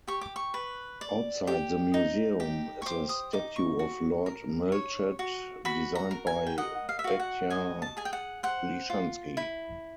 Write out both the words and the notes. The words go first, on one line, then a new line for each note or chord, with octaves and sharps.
Outside the museum is a statue of Lord Melchett designed by Batya Lishansky.
G4 C#6
D6
C#6
B4
D5
G4
D#4
G4
C#6
C5 D6
D#6
D#4 D6
C#6
F#4
A#4
C#5
F#4
F#4 B5
A#5
A#4
G#5
G5
D#5 F#5
F5
E5
F#4 F5
F#5
D#5 G#5
A5
G#4 G#5
G5
F#5
C5 F#5
F4
E4